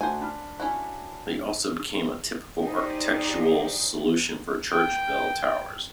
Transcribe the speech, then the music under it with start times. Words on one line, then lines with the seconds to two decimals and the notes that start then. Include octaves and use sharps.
They also became a typical architectural solution for church bell towers.
0.01 A3 D4 F#4 C5 G#5
0.21 D4 B5 F6
0.60 C#4 E4 F#4
2.61 D#4 G4 G#4 C5 D5 D#5
4.72 G5